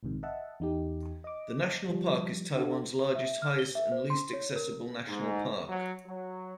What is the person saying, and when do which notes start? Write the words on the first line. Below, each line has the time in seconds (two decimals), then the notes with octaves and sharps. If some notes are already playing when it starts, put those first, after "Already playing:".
The national park is Taiwan's largest, highest and least accessible national park.
0.03 A#1 G#2 C3 D#3
0.23 D#5 E5 F#5 A5
0.60 E2 D#4 G4
1.24 D#5 D6
1.88 F3 G3
2.56 D4 F#4 A4 F5
3.15 E5
3.42 F6
3.59 G7
3.75 E5
3.92 C5
4.10 C6
4.33 C#5
4.56 A#4
5.07 G#2
5.68 F#3
6.07 F#3